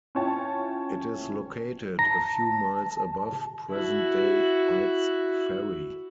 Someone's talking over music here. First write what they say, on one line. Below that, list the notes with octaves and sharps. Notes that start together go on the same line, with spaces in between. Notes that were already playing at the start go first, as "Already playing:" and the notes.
It is located a few miles above present-day White's Ferry.
C#4 E4 F4 C#5 G5 A5
A5 A#5
E4 F#4